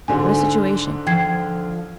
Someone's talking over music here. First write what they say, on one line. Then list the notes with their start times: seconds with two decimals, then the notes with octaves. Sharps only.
What a situation!
0.08 G#2 D3 F#4 G#5
1.07 F3 G5 G#6 C7